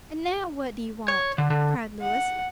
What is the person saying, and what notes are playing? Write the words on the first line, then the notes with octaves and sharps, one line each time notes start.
"And now what do you want?" cried Louis.
C#5
D3
D3
F#5